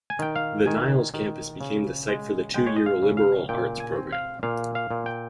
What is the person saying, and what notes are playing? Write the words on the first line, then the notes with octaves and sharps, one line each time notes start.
The Niles campus became the site for the two-year liberal arts program.
G#5
D#3 G5
F5
D#3 G#5
D#3
C#3
G#3
G#3 G5
C#5
D#5
F5
C#3
F5
A#2 G5
G#5
C4
F5
A#2 F5
F5
A#2
G5